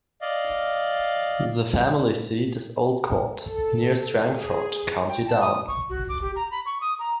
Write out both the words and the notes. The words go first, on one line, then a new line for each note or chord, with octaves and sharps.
The family seat is Old Court, near Strangford, County Down.
D5 D#5 F5
A4
G#4
G5
A5
D#6
C#6
F#4
D6
G4
A#5
B5
C#6
D#6
A#5